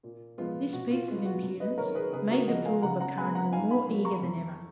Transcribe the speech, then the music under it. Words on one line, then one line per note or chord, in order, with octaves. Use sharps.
This piece of impudence made the fool of a cardinal more eager than ever.
A#2
F3 G#3 B3 F4
B2 F#4
F4
G#3 B3 F4
F#4
F#2
B4 D#5
D#3 A#3 A#4 C#5
G#4 B4
C#3 G#4 B4
F#4 A#4
F3 B3 D#5 F#5
F5 G#5
C#3 F#5 A#5
F#5 A#5
G#3 B3 G#5 B5
F#5 A#5
G#2 F5 G#5
G#5 B5
F#3 A#3
A#5 C#6
F2